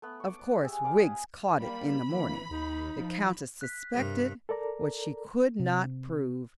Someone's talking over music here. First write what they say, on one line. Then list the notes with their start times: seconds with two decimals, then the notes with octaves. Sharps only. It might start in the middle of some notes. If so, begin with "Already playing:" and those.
Of course Wiggs caught it in the morning; the Countess suspected what she could not prove.
0.02 A3 B3
0.20 C#6 D6
0.39 D#5
0.62 G4 G#4 E5 G#5
0.84 G3 D5 F5 B5
0.97 F5 G#5 B5 D#6
1.60 G3 A#3 B5
2.09 E3 A#3
2.51 D#2 D#4
2.99 F3
3.61 F#6 B6
3.94 G2 C3 A#4
4.49 A4 A#4 D5 A#5
5.59 C3